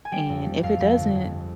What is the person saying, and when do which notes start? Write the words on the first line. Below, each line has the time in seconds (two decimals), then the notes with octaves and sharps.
And if it doesn't,
0.05 G#5
0.12 G3 G5
0.29 F2
0.46 G3
0.63 F2 F5
0.80 F2
0.97 G1
1.15 G#3